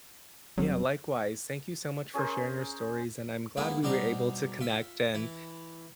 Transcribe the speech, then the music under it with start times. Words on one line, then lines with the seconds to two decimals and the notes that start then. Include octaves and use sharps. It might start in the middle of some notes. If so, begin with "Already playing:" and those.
Yeah, likewise. Thank you so much for sharing your stories, and I'm glad we were able to connect and
0.58 F1 F#3 G3 C4
2.14 C#4 G#4 A#4 C5
3.57 G#3 A#3 B3 E4 G#4
3.83 B2 G3 D4 D#4 C5 A#5
4.61 F4 E5
5.14 E3 E4